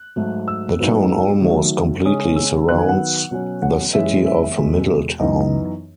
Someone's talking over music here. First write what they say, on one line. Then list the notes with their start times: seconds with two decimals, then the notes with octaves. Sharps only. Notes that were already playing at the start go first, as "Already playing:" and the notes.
The town almost completely surrounds the city of Middletown.
Already playing: F#6
0.16 G#2 F#3 A3
0.48 E6
0.79 G#2 F#3 B3 D#4
1.42 D#3 F#3 A3
2.05 C#3 G#3 C#4 D#6
2.36 E6
2.69 D#3 F#3 B3 F#6
2.78 G#5
2.89 F#5
3.31 B2 F#3 C#4
3.62 F#5
3.93 F#2 E3 G#3 C#4 E5
4.26 E5
4.58 E2 B2 G#3
5.20 F#2 E3 B3 D#4 D#5